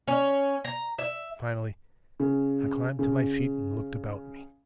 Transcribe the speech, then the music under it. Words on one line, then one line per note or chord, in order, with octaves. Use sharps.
Finally, I climbed to my feet and looked about me.
C#4
A#5
E5
C#3
C#3